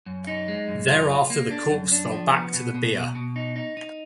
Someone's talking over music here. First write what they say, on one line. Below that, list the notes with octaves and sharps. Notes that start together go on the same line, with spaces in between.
Thereafter the corpse fell back to the bier.
F#2
D#4
G#3
F#2
F4
F4
A#3
D4
F#2
D4
F3
B3
B2
B2
B2
B2
D#4
D#4
D#4